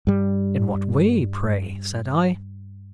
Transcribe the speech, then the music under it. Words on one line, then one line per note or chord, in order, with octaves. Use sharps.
'In what way, pray?' said I.
G2 G3